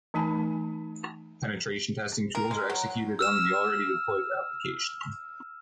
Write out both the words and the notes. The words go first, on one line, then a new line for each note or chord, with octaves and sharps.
Penetration testing tools are executed on the already deployed application.
E3 A3 D#4 G#5 A5 B5
A#4
G#3
F#3
E6 F6 E7